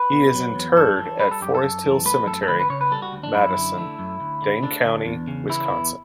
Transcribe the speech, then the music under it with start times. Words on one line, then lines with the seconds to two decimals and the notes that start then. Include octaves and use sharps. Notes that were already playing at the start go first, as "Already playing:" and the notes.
He is interred at Forest Hill Cemetery, Madison, Dane County, Wisconsin.
Already playing: B4
0.12 B2
0.34 F#3
0.55 E2
0.76 F#2 A4
0.98 E3
1.19 G3 B4
1.31 A4
1.41 F#2 G4
1.55 A4
1.63 F#2
1.84 E3
2.05 A3 B4
2.27 F#2 A4
2.43 A4
2.48 D2 B4
2.59 B4
2.70 C#3 C#5
2.81 B4
2.91 G3 A4
3.02 F#4
3.12 D2
3.23 D4
3.34 F#2 E4
3.56 D3
3.78 A3
3.99 F#2
4.20 D2
4.42 D3
4.63 A3 D4
4.84 D2
5.06 E2
5.28 C#3
5.49 E3 E4
5.70 E2